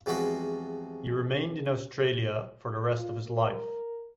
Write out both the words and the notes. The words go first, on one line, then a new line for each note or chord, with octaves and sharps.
He remained in Australia for the rest of his life.
E2 C3 F3 G#3 F#4 B5
F4
A#4